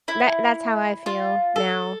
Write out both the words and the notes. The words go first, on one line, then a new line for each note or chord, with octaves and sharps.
that that's how I feel now
E4
F4
A4